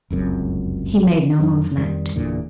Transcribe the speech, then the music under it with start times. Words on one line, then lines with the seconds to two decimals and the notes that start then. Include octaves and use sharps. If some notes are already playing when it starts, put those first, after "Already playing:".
He made no movement.
0.10 F1 C#2 F#2 C4
1.40 F2 D#3 F#3 D4
1.77 F2 D#3 G3
2.16 F#1 E2 A#2 D3